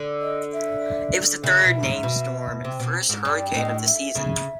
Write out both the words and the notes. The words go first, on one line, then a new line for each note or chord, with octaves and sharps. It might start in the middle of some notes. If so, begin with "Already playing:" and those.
It was the third named storm and first hurricane of the season.
Already playing: D3
D#5
E5
C#3 E5
B2
G#2
B2
C3
B2
G#2
G2 D5
A2 D#5
E5
C#3